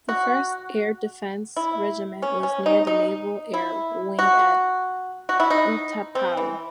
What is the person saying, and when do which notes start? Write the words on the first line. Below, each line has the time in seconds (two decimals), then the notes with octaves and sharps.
The First Air Defence Regiment was near the Naval Air Wing at Utapao.
0.09 F#4
1.57 E4
2.22 C#4
2.43 C#4
2.66 D#4
2.87 D#4
3.54 E4
4.19 F#4
5.29 F#4
5.40 E4
5.50 D#4
6.15 C4
6.37 E3